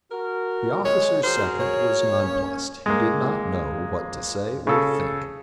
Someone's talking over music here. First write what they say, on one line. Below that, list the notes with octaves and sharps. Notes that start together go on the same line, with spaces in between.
The officer's second was nonplussed; he did not know what to say or think.
F#4 A#4
G#3 C#5
F#4 G#4 A#4 C5
C#5
A#3 C#4
G#3 A#3
C#3 A4